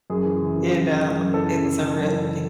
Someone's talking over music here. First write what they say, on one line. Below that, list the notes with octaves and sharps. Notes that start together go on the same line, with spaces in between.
You know, it was a real big
F#2 G#4
E3
C#3
E3
F#2
F#2
C#3
F#2
E3 A4
C#3
C#3
C#3
F#2
E3